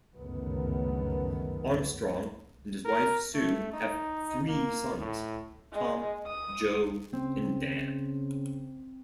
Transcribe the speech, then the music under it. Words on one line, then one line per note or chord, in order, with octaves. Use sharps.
Armstrong and his wife, Sue, have three sons: Tom, Joe, and Dan.
G1 C#2 F#2 D#3 A3 B3
A#4
A3
D#4
A#3
A2
G#3
D#6
C#3 C4